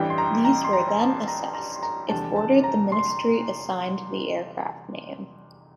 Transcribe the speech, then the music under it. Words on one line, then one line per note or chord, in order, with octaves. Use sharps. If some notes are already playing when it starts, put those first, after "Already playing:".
These were then assessed, if ordered the Ministry assigned the aircraft name.
Already playing: A1 G2 E3 G3 G5
C6
A#5
A#5
C6
A#5
A#5
A5
A#5
A#5
C6
A#5
F1 E2 D3 G3 A5
A5
A#5
C6